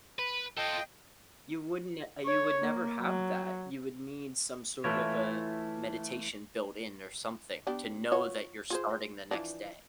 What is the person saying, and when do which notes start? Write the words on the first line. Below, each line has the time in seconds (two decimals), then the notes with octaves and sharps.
You wouldn't n uh, you would never have that. You would need some sort of a meditation built in or something to know that you're starting the next day.
0.19 B4
0.58 F4 A4 D#5 G5
2.26 C#5
2.62 A#3
3.00 F#3
4.84 E3 A3 E4 F4 C#5
7.67 B3 D4 G4
8.12 F4 F#4 C#5
8.70 F4 G#4 C5
9.31 E3 F3 D4